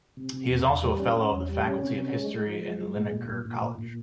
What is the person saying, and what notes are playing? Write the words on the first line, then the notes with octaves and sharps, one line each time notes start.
He is also a fellow of the Faculty of History and Linacre College.
C3
C3
E2
E2
G3
C#4
C#4
E2
G3
C#4
C3
C#4
G#3
G#3
F3
G#3
G#3
A#2
A#2
A#2
A#2
A#2
A#2